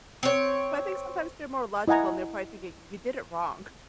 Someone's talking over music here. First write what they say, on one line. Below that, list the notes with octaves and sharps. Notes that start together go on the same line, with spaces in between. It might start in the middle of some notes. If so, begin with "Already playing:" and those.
But I think sometimes they're more logical, and they're probably thinking, "You did it wrong."
C4 C#5
E4 D#5 F#5 G#5 A#5